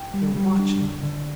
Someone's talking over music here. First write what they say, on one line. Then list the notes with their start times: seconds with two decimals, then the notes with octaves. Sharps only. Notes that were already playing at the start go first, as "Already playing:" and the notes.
They're watching me.
Already playing: G5
0.14 G3
0.36 G3
0.59 D4
0.81 D3
1.03 D3